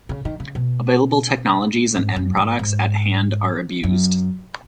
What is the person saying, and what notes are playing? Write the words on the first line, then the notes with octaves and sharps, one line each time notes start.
Available technologies and end products at hand are abused.
C#3
D#3
C#3
B2
G#2
F#2
G#2
G#2
F#2